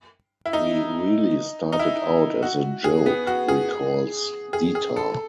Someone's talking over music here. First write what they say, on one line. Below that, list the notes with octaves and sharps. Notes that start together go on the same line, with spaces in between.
"We really started out as a joke," recalls Detar.
E4
D#4
D#4
E4
F#4
G#4
B3
F#4
G#4
G#4
G#4
A4